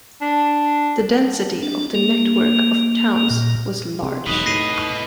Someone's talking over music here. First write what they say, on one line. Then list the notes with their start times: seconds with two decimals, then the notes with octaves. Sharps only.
The density of the network of towns was large.
0.21 D4
1.63 D4
1.95 A#3
3.30 A#2
4.03 C3 G#4 C6
4.27 E1 F#3 D#4 B4 D#5
4.46 A2 A#6 C7 D#7